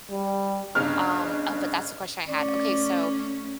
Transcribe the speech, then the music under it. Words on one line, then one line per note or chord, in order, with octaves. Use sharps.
um oh, but that's the question I had, okay, so
G3
G1 C#3 D4 D#4 F6
A3 C#4 D5